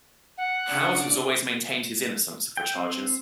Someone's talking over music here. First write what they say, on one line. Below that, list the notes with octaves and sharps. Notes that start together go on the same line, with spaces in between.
Howard has always maintained his innocence of the charges.
F#5
C#3 D4 D5
G5
C4